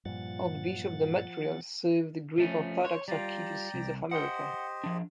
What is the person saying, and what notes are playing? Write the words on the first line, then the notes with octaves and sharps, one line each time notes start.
Archbishop Demetrios served the Greek Orthodox Archdiocese of America.
G2 A#2 F3 F#5 A6
F3 A3 C#4
C5 C#5
G3 F4 D5 G5 A#5
C2
G4 C5 D#5 F#5 G5
F3 D4